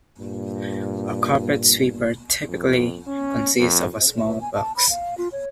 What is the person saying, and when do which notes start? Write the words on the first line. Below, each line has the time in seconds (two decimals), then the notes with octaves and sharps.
A carpet sweeper typically consists of a small box.
0.19 G2 A#2
2.49 F2
3.07 C#4
3.59 F2
4.18 E5
4.41 G#5
4.55 A5
4.76 B5
4.90 F5
5.18 F4
5.32 C#5